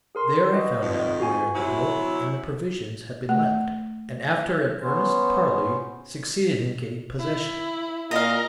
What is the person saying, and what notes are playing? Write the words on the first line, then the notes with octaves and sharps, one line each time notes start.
There I found out where the boat and the provisions had been left, and after an earnest parley succeeded in getting possession.
G#4 A#4 C6
F#4 B4 D#5
F2 D#3
F#4 G#5
C3 F#3 E4
A3
B3 C#4 C5
E4
A#2 A#4 D#5 F5